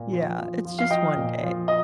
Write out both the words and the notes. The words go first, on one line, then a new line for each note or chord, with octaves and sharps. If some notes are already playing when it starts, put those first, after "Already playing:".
Yeah, it's just one day.
Already playing: A#2
F3
F3
F3
F5
F3 D#5 G5
A#2
F3
D#5